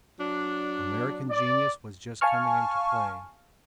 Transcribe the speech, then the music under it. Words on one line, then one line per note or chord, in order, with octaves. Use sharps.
American genius was just coming into play.
F#3 D4
D5
F5 G#5 A5 C#6 F6